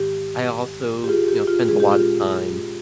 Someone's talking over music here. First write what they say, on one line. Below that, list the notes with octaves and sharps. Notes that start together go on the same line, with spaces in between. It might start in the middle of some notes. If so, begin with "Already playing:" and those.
I also, you know, spent a lotta time,
Already playing: G#2 D#3 G#3 G4
G4
F4 G#4
G4
F4
A#2 G#3 C#4 G#4
G4
F4